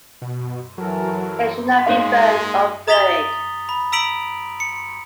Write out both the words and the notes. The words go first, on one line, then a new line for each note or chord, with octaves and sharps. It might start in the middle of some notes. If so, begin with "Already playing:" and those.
They should not be burned or buried.
B2
E3 F#3 A4 A#4
G#2 G#3 A#3 C#5 F5 F#6
A#5 D#6 A6 B6 F7 G7
B5
A#5 E6 B6 D7 F7 F#7
C#7